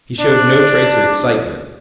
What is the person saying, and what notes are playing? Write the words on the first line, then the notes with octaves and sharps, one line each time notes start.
He showed no trace of excitement.
D4